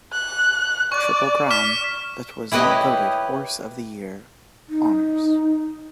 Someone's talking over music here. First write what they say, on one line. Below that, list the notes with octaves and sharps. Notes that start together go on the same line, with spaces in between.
Triple Crown that was not voted "Horse of the Year" honors.
F#6
D5 C#6
F6 B6 E7
E4 G4 B4 C#5 D#5
D#4